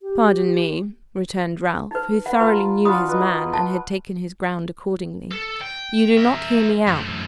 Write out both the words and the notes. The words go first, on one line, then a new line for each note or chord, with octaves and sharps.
'Pardon me,' returned Ralph, who thoroughly knew his man, and had taken his ground accordingly; 'you do not hear me out.
G4
D#4 B4
B4 F#5
F4 B4 A5 A#5
D4 F4 F#4 B5 D#6
B4 D#5 A#5
A5
A4
G5
A#4 E5
F#2 A2